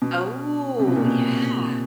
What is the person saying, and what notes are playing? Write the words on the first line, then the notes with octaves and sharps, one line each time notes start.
Oh, yeah.
B2
C3
B2
A#2
B2